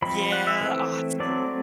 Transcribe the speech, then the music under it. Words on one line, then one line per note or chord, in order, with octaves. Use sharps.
Yeah, awesome.
F3 G#3 C4 B5
F#5
E5
E3 A3 C4
F#3 A3 C4 D5